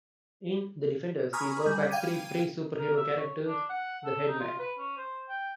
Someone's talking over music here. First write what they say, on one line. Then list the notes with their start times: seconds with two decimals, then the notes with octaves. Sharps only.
In "The Defenders," he brought back three pre-superhero characters, the Headmen.
1.33 G#5 A#5 B5 C#6 D#6 F6
1.66 G3
1.91 F5 G5 G#6 D#7
2.79 A#4
2.96 E5
3.17 C#5
3.46 D4
3.70 F#5
4.05 A4
4.28 D#4
4.40 F4
4.60 B4
4.78 C#4
4.97 C5
5.29 G5